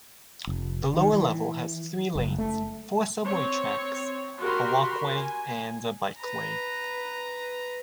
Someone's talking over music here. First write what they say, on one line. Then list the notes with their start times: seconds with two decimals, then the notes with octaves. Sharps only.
The lower level has three lanes, four subway tracks, a walkway and a bikeway.
0.47 F1
0.94 D#3
1.13 E3
2.15 F#1
2.38 A3
3.27 C4 C#5
4.40 F#4 G4 A#4 B5 C6
5.14 G#5
6.19 B4 A#5